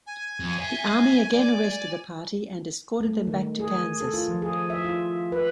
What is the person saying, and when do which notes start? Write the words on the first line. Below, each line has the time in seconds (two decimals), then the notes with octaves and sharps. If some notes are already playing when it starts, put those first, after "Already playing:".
The Army again arrested the party and escorted them back to Kansas.
0.07 G#5
0.40 F2
0.58 C#5 E5
1.34 D5
3.00 A3
3.27 D#3
3.60 G#4
4.01 A4
4.14 F4
4.28 F3
4.42 G#4
4.70 E5
4.84 F4
5.32 B4